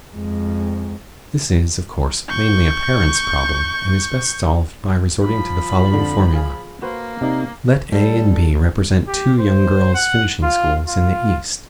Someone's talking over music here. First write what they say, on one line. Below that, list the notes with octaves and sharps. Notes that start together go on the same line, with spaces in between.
This is, of course, mainly a parent's problem and is best solved by resorting to the following formula: Let A and B represent two young girls' finishing schools in the East.
F2 G#3
C#6 G6
F3 B5
F2 D3
G#4 F5 G#5
A#3 F#4 B4 C5
C3 D#4 D5
G3 A4
G4
C5
F#5
F4
F4